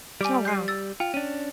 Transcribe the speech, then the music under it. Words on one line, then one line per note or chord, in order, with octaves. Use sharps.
Oh, wow.
G3 G#5 D6 D7
G6 C7
E6 A6
F4 G5
C#4 D4 D#7